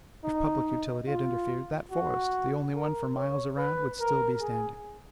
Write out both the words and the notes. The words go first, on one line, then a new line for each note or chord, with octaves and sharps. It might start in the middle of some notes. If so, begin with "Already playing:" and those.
If public utility had interfered, that forest--the only one for miles around--would still be standing.
D#4
F4
F#4
A#4
C#5
B4
A#4
G#4